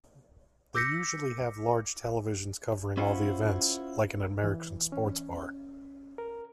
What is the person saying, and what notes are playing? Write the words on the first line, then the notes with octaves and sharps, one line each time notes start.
They usually have large televisions covering all the events, like an American sports bar.
D6 E6 G6 A#6 B6 C#7
C#4 E4 F4 C5 F#5
E3
C#4
A#4